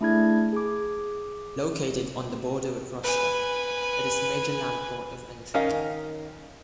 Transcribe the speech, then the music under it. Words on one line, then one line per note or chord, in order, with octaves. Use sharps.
Located on the border with Russia, it is major land port of entry.
A3 D4 E4 G#4 G#6
G#4 D6
B4 G#5
D#3 C#4 A#4 D#5 F5